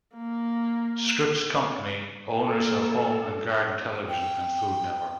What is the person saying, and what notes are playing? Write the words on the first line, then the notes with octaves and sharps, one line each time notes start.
Scripps Company, owners of Home and Garden Television and Food Network.
A#3
A#3 A4
G5